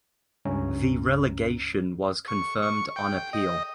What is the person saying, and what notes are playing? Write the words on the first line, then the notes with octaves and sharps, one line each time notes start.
The relegation was confirmed on appeal.
C#2 G2 C#4 A#5
C#6
C#6
G5
D#5